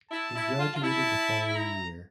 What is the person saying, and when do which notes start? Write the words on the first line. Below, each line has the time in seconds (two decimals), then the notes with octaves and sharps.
He graduated the following year.
0.11 E4 A5
0.36 E4
0.59 F4
0.75 F4
0.83 E4 A5
1.55 A#5